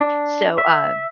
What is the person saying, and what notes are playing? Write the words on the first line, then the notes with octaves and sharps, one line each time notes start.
So, uh,
D4
E5